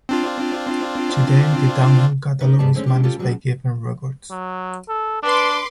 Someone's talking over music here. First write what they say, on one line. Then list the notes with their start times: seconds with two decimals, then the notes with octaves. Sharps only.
Today, the Dunhill catalogue is managed by Geffen Records.
0.09 C4 D4 F4
2.40 A3 C#4 D#4 A#4 B4 D#5
2.59 G#2 G3 B3 G#4 D5 A5
2.74 D3 G#3 A3 C4 C#4
2.86 G#3 B3 C#4 D4 E4 G4
3.03 G3 C#4 F4 G4 A4
3.18 C#3 F#3 G3 A3 F#4 G#4
4.30 F#3
4.89 A4
5.23 D4 B4 C6 D6